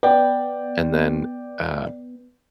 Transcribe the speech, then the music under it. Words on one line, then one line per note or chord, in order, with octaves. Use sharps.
and then uh,
B3 D5 G5